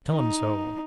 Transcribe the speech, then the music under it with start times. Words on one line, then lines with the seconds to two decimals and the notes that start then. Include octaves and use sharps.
Tell him so.
0.11 D#4